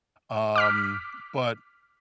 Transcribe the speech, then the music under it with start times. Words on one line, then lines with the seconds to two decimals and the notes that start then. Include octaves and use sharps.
um, but
0.56 D6 F6 B6